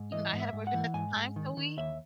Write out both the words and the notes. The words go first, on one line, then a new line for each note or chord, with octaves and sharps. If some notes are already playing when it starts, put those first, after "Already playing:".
you know, I had a boyfriend at the time. So, we
Already playing: G#2
E3 D#5
G#2
E5
G#2
F#5
E3
G#2 G#5
G#2
D#3
D#3
D#2 E5